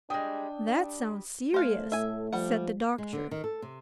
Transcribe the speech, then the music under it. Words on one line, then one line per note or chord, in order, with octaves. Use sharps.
"That sounds serious," said the doctor.
G3 G#3 D4 G5 D#6
G3
A3 C5 F5 G#5
A2 E5 G#5
F3 G3 F#5
G#3
D3
D#3
A4
C3